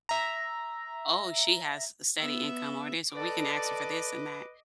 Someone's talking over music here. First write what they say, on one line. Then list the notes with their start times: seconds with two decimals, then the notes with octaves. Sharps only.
"Oh, she has a steady income or this, or we can ask her for this and that."
0.09 E5 A#5
2.18 B3 E5
3.15 A4 B4 D5 D#5 D6